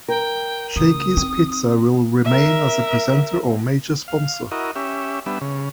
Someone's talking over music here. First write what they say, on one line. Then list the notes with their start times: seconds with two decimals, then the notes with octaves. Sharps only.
Shakey's Pizza will remain as a presenter or major sponsor.
0.09 A#4 G5
0.76 C#3 A3 D#6
1.17 C4 D#4
2.25 A#4 E5
4.08 F5
4.51 E4 F#4 A#4 D#5
4.76 C#4 G4 E5
5.26 G3 B3 D4 E5
5.41 C#3